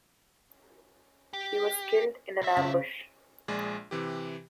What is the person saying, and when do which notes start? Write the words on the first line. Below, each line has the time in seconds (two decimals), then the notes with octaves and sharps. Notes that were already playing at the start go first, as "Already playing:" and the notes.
He was killed in an ambush.
1.33 G4
2.42 B1 E5
2.57 C#3
3.48 A#1 G#3 G#4 D5
3.91 C3 E3 G4